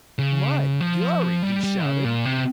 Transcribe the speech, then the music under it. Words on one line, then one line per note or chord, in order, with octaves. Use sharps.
"My gorry!" he shouted.
C#3
F3
G3
G3
C#3
A#2
C3